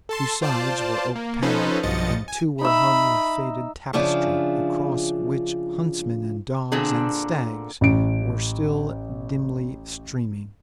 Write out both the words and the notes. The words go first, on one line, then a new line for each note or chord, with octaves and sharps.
Two sides were oak-panelled and two were hung with faded tapestry, across which huntsmen and dogs and stags were still dimly streaming.
A4 A5 C6
F4 C5 D5 A5
A#3
F3 C#4 D#4 A4 B4 C5
B1 G2 F3 D#5 A6 C#7
G#5
D#4 E5 B5
C#3 F3 D4 F4 G#4 E5
A#2 D3 C4 D4 G#4
A1 D7